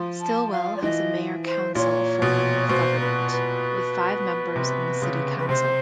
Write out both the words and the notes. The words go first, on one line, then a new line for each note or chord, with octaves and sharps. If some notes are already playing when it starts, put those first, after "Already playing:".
Stilwell has a mayor-council form of government, with five members on the city council.
Already playing: F3
A5
F5
D5
E3 D#5
C5
A#2 C#5
B2
B2 C5
B4
B4
C3
C#3
B4
C3 C5